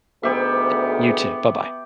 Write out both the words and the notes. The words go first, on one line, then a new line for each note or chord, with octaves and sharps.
Eh you too, bye-bye.
D2 G#2 B3 G4 E5